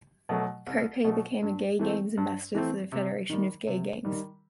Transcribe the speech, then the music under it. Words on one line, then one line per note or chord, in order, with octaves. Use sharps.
Kopay became a Gay Games Ambassador for the Federation of Gay Games.
B2 F#3 A3
C2
B2 F#3 A3
G2
E3 A3 C4
G2
E3 A3 C4
C3
D#3 G3
C3
D#3 G3